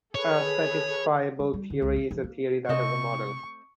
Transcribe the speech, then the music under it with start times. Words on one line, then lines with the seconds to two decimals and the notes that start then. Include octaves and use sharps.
A satisfiable theory is a theory that has a model.
0.15 G#4 A4 B4 C#5
1.39 G3
1.53 G3
1.70 D3
1.82 C#2
1.96 C#4
2.11 F3
2.24 A#3
2.69 C3 A3 C4 D#5 C#6